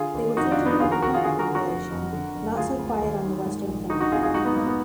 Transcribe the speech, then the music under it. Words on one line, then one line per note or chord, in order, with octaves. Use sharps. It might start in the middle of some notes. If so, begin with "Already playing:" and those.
They were featured on a punk compilation Not So Quiet on the Western Front.
Already playing: D3 F4 G#4
D#2
F1 D#4 F#4
D4 F4
F1
B3 D#4
D#2 F4 G#4
F#4 A#4
D#2 F#4 A#4
F4 G#4
D3 F4 G#4
F#4 A#4
D3
F#4 A#4
F1
F2
D3
F#1
D2 F4 G#4
D2
D#2
D#3
G#2
A#1
D3 D#4 F#4
D#4 F#4
F1 F4 G#4
F4 G#4
G#2 D#4 F#4
B3 D#4
G#2 A#3
B3